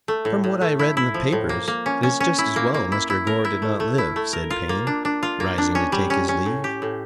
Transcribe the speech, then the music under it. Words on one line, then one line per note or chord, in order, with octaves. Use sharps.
"From what I read in the papers it is just as well Mr. Gore did not live," said Payne, rising to take his leave.
A3
A2
A2
A3
E4
E4
F3
A2
A#3
A#3
C#4
C#4
C#4
E4
A#3
A#3
E4
E4
A#4
E4
A3
A3
E4
A3
A#4
F4
A#3
D4
D4
F4
A#3
D4
C#4
G3
C#4
C#4
A2
G4
A2